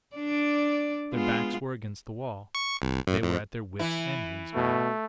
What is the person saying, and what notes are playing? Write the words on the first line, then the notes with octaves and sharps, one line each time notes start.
Their backs were against the wall, they were at their wits' end, these men!
D4 D5
G#3 B3 F4
C#6
C2
F#2
F2
E3 E4
B2 A3